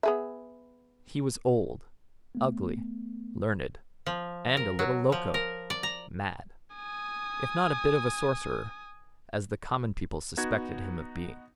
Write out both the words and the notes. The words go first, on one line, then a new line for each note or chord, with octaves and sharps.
He was old, ugly, learned--and a little "loco"--mad, if not a bit of a sorcerer, as the common people suspected him of being.
B3 G#4 E5
A3 B3
F3
A#4
F#3
F3
A#4
D5
A#5
G#5 D#6
B3 D#4 F#4 G#6